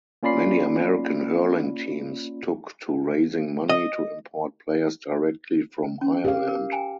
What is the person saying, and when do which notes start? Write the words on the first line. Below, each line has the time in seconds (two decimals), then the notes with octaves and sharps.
Many American hurling teams took to raising money to import players directly from Ireland.
0.23 A#3 C#4 F4 D5 B5 C7
3.70 D#5
6.01 C#4
6.25 G4 F5
6.48 A#4
6.72 G5 G#5 A#5